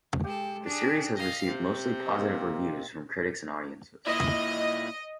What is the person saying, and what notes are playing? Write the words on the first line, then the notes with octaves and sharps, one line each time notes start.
The series has received mostly positive reviews from critics and audiences.
G#3 G4 A4 G5
D4 G#4
D#5 F5
C3
A#3 C4 D#4
A#2 E4 D#5